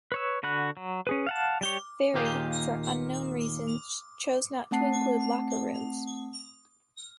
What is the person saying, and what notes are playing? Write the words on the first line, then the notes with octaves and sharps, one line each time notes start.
Ferry, for unknown reasons chose not to include locker rooms.
B4 C#5 E6
D3 F#4 B5 F#6
F#3
C#4 G#4 B4
F5 F#5 A5
G3 G4 C#5
D#2 A#2 A#3 G4 G#4 F5
A3 C4 F#5 A5 C7